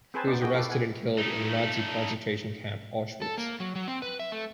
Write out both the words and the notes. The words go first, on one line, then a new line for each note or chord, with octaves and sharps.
He was arrested and killed in the Nazi concentration camp Auschwitz.
C4 G#4 B4 C5 G#5 A5
B3 D#4 D5
A3 F#4 G#4 D#5 G5
E4 G4 A4 B4 F5
F#5 G#5
A3 D#4
A4
A#3
F#3
F#3
C4
B4
E5
A3